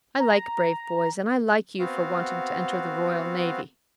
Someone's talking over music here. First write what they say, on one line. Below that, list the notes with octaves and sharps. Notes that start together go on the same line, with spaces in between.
I like brave boys, and I like you for wanting to enter the Royal Navy.
A#5
B3 C4 F#4 F5